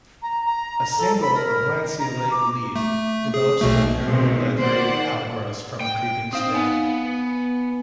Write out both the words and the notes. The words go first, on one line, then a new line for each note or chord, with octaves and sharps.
A single oblanceolate leaf develops from narrow, leathery outgrowths from a creeping stem.
A#5
A#5
A4
B5
A#4
A#5
D6
A3
G#4
B1 B2 A3
B2 D#3 G#3 C4
A#2 D#3 C5 D5 F#5
G5
C4 D#4 F5 D#6
B3 G#5